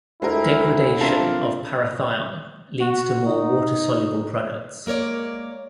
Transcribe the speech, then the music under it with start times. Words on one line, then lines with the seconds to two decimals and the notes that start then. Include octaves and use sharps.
Degradation of parathion leads to more water-soluble products.
0.22 D2 G#3 E4 A#4
1.01 C4 D4 F4 A4 A#4
2.81 F#4
3.26 D#4
4.86 G#3 A#3 A#4 C#5 D5